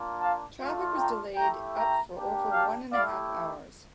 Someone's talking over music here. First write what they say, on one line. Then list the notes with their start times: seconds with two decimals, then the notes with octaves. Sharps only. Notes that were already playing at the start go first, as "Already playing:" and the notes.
Traffic was delayed up for over one and a half hours.
Already playing: A#3 D4 F4
0.19 F5 A5
0.59 A3 D4 F4
0.98 G5 A#5
1.36 A3 E4 G4 G5 A#5
1.75 G5 A#5
2.14 A#3 D4 G4
2.52 F5 A5
2.92 A3 E4 G4 D5 F5